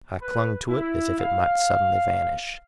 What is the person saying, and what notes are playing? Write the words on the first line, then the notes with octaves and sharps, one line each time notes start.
I clung to it as if it might suddenly vanish.
B4
E4
F5